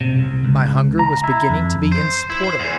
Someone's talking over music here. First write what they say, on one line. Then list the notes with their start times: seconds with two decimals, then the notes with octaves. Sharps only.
My hunger was beginning to be insupportable.
0.01 C3
0.19 C2
0.44 C#2
0.99 A#5
1.24 E4
1.50 F2
1.92 C5
2.30 E4
2.44 C5
2.60 E2